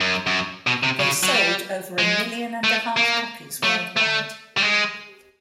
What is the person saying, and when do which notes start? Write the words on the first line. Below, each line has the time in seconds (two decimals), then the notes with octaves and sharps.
They sold over a million and a half copies world-wide.
0.01 F#2
0.27 F#2
0.67 B2
0.83 C3
0.99 C#3
1.23 F#3
1.33 G3
1.98 G#3
2.64 A3
2.97 A#3
3.63 A3
3.97 A3
4.57 G3
4.62 G#3